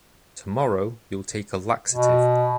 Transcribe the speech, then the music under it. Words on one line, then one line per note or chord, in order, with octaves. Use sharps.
Tomorrow, you’ll take a laxative.
B2